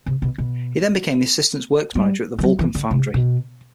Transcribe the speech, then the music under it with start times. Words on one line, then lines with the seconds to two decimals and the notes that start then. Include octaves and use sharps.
He then became assistant works manager at the Vulcan Foundry.
0.06 C3
0.22 B2
0.38 B2
1.95 G3
2.39 E3
2.43 F#3
2.59 E3
2.75 D3
2.91 C3
3.14 B2